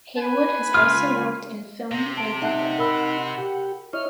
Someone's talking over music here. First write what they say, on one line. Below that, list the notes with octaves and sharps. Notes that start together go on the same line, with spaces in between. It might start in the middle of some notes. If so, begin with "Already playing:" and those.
Haywood has also worked in film and theatre.
B4 G#5 B5
C#2 F4 F6
C3 A#6
A5 D7
D#4 E5 F#5 A5 F#6
A#4 B5 E6
G4
E4 C#5 D#5 F6